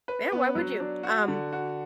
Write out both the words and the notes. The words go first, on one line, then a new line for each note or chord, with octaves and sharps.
yeah, why would you? Um,
B4
B3
F#3
D4
F#4
D3
F#4